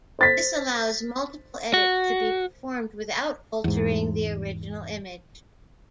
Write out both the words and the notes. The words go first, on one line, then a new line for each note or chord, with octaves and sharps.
This allows multiple edits to be performed without altering the original image.
C5 A6 B6
F#4
E2 G#2